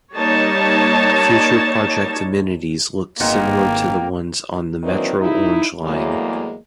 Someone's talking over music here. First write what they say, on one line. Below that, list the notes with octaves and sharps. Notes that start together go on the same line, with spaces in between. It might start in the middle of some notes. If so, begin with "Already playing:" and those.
Future project amenities looked similar to the ones on the Metro Orange Line.
G3 A#3 D#4 C#5 A5
G#1 A#2 G#3 A#3 B3 G5
D#3 E3 F#3 A#3 C4 D4
D#4 E4
E2 A2 F#3 G#3 A#3